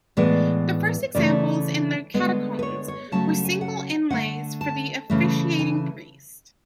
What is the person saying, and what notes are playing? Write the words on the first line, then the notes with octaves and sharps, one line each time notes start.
The first examples in the catacombs were single inlays for the officiating priest.
A2 E3 G#3 B3 D5
C#3 E3 A3 D5
D3 G#3 B3
B4
C#5
C#5
C#3 F#3 A3 A5
A5
G#5
F#5
D3 A3 F#5
A5
C#3 E3 A3
G#5